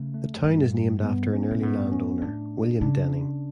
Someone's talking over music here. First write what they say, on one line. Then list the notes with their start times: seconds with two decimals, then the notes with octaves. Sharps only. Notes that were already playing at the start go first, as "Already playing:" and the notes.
The town is named after an early landowner, William Denning.
Already playing: C#3 A3
0.14 A3
0.44 G2
1.03 B3
1.33 C#4
1.51 B2
1.62 A2 B3
1.92 C#4
2.22 A2 D4
2.81 C#3 D4